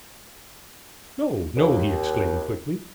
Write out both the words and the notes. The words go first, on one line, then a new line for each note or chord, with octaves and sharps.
"No, no," he exclaimed quickly.
D#2